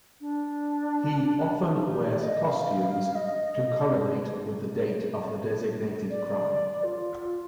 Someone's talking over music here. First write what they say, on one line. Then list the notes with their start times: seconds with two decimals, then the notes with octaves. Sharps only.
He often wears costumes to correlate with the date of the designated crime.
0.21 D4
1.68 D#4
1.87 G4
2.05 D5
2.24 D#5
2.42 F5
3.15 D#5
6.10 D5
6.84 F4